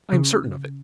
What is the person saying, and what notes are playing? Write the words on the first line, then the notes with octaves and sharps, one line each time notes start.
"I am certain of it."
C#3